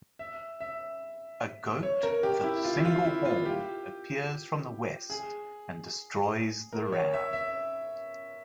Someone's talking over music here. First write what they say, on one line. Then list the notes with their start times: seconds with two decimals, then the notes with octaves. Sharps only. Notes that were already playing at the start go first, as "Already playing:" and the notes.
A goat with a single horn appears from the west and destroys the ram.
0.19 E5
0.61 E5
1.83 C#5
2.03 A#4
2.23 G4
2.44 E4
2.64 F4
2.78 E4
2.85 F4
3.05 E4
3.25 F4
3.45 G4
5.10 G#4
6.73 A#4
6.92 C#5
7.13 E5
7.33 E5